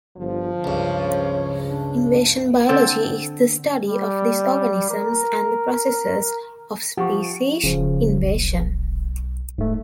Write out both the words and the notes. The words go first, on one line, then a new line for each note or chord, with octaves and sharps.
"Invasion biology" is the study of these organisms and the processes of species invasion.
G1 F3
C#2 G2 C#3 C#5
D4
D3 C4 A4
G3
A#4
F3 G4 F#5 C#6
D#1 C#3 F3
B1
D1 G#2 A3